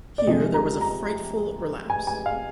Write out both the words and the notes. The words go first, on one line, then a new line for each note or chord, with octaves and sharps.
Here there was a frightful relapse.
D5
F2 C3 F3 G#3 D#5
A#5
A#5
G#5
G#5
F5